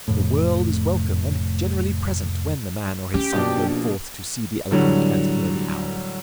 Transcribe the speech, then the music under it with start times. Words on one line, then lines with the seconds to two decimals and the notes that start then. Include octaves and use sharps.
The world is welcome, and generally present when the man or his son go forth to see the elephant and hear the owl.
0.08 F1 A2
3.14 C#4 G4
3.32 A#1 B2 D4
4.71 A2 D3 F#3 G3